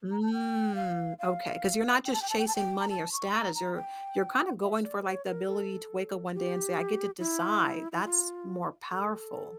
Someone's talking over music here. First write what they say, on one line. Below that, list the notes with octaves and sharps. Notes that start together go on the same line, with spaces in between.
Mm, okay, 'cause you're not just chasing money or status, you're you're kinda going for, the ability to wake up one day and say, "I get to decide." That's more powerful.
A#5
A5
G5
F5
F5
G5
A5
G5
A5
G5
A5
G5
A#5
A5
C#6
A#5
A#5
G5
E5
D5
A#4
C#5
A#4
A4
G4
E4
E4
F4
A4